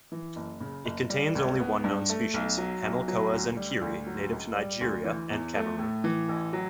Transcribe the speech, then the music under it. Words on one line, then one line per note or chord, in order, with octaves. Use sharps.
It contains only one known species, Hamilcoa zenkeri, native to Nigeria and Cameroon.
E3
F#1
C#3
F#1
G3
C#2
B3
G2
A3
B1
F#3
B1
F#3
D2
G3
D2
F#3
C#2
G3
D2
E3
E2
A3
A2
E3
A1
F#3